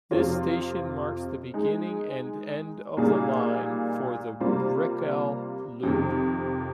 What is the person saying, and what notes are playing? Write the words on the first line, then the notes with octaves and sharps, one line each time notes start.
This station marks the beginning and end of the line for the Brickell loop.
F2 C3 F3 C4 F4
G#3 D#4 G#4
A#2 G3 A#3 D#4 G#4
C3 G3 A#3 F4 C5
F2 C3 D#3